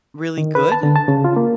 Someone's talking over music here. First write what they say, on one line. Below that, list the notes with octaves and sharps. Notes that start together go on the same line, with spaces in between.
really good?
D#3
B4
A5
D3
A5
C#3
F4
A#3